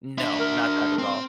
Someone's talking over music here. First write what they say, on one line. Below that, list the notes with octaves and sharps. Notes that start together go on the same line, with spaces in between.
No. Not that at all.
D4 E5
A#4
C4